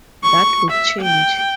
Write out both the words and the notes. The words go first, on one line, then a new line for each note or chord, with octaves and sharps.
That would change.
C#6
E5
G5